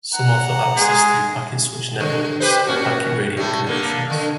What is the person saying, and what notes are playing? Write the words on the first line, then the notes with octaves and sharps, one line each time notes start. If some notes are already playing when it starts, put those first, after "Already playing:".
Some offer access through packet switched networks or packet radio connections.
F#5 A#5
G#3 G#4
D3
G4 B4 C5
A#2 C#4 F#4
A2 G3
D3 A#3
D3